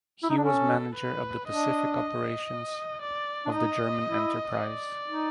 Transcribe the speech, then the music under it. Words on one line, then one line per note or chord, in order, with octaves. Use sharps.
He was manager of the Pacific operations of the German enterprise.
E4
D#4
D4
C#4 A4
B4
D4 D#5
D#5
D5
D4
D#4 D#5
E4
D5
D#4